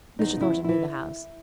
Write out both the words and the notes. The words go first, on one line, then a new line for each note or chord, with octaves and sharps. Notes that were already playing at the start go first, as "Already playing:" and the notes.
Mr. Thornton knew the house.
E2 D#4
C#3 E4
E2
E3 E4